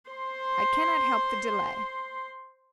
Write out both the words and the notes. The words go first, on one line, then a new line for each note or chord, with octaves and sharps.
"I cannot help the delay."
C5 C6